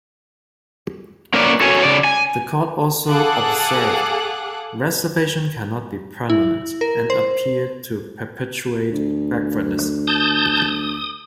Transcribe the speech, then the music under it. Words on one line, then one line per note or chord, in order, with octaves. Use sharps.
The court also observed, "Reservation cannot be permanent and appear to perpetuate backwardness".
A#3 C#4 A#4 B4 D5
F#4 A4 C#5 G#5
C#3 D5
G#5
G#4 A4 F5 F#5 D6 F#6
E4
A#4
C5
D2
A5 D#6 G6
D#6